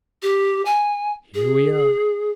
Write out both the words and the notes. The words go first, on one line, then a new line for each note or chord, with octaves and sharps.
"Here we are."
G4
G#5
G#4